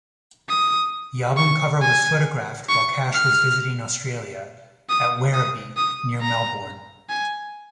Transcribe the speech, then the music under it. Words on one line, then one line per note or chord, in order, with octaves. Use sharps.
The album cover was photographed while Cash was visiting Australia, at Werribee near Melbourne.
D#6
C#6
G#5
C#6
F6
D#6
D#6
D#6
A#5
G#5